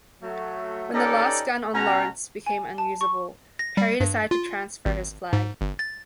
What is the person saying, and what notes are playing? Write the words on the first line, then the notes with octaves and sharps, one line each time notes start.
When the last gun on "Lawrence" became unusable, Perry decided to transfer his flag.
F#3 A3
C#4 D#4 G4 A4 B4 D5
B2 C#4 F#5 A#5
G#5
A5
C#6
A#6
G3
G2
F4
G#1
G#2
G1
A6